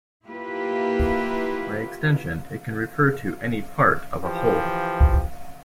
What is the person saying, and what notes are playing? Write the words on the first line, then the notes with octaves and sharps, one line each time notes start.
By extension it can refer to any part of a whole.
A#3 E4 F4 G4 B4
E3 F3 G4